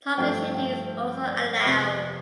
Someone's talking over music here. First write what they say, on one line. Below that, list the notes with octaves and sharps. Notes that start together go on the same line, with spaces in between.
Target shooting is also allowed.
G2 F3 A3 C4 G5
G5
C5
D5
F2 C3 F3 B3 D4 D5